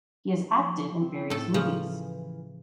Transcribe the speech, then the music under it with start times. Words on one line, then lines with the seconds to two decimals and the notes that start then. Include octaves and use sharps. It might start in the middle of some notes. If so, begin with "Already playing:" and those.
He has acted in various movies.
0.59 F3
1.01 C4
1.30 A2 A4
1.54 C#3 E3 F3